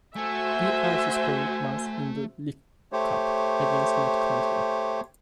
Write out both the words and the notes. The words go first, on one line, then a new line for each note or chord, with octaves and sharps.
He also scored once in the League Cup against Notts County.
A3 F#4 C5 E5 G#5
A3 G4 C5 C#5